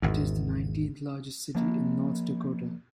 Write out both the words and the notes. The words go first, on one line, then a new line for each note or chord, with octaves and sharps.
It is the nineteenth-largest city in North Dakota.
G#1 E2
F3 A#3